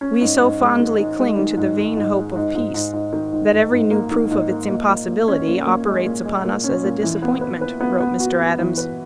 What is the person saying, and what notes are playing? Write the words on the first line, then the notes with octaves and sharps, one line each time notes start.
"We so fondly cling to the vain hope of peace, that every new proof of its impossibility operates upon us as a disappointment," wrote Mr. Adams.
C#4
G#2
G#2
G#3
D#3
D#3
G#3
D#3
G#2
D#3
G#2
G#3
G#2
G#2
G#2
G#2
D#3
G#2
G#2
G#2
A#3
D#3
G#2
A#3
A#2
A#2
A#2
C#4
A#2
A#2
G#3
A#2
G#3
A#2
C#4
A#2
E3
B3
B4
B4
B3
B3
F#4
B3
E3
B4